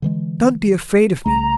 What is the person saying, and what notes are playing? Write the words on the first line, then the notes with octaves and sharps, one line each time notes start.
Don't be afraid of me.
D3 E3 G#3
C2 C#3 A3 A#5